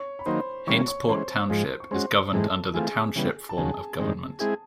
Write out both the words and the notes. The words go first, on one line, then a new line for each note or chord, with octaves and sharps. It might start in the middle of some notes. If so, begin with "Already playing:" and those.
Hainesport Township is governed under the Township form of government.
Already playing: C#5 C#6
B5
D#3 F#3 A#3 D#4 C5 C6
E3 G3 A#3 C#4 C#5 C#6
C#5 C#6
E3 G#3 C#4 C5 C6
G#2 F3 G#3
C#6
G#3 C#4 F#4 C5 C6
G#2 E3 G#3 C4 A4 A5
E3 A3 C4 F4 G#4 G#5
C#3 E3 G3 B3
A5
D#2 C#3 F#3 G#4 G#5
G2 D#3 G#3 C4
G#3 C4 E4 G#4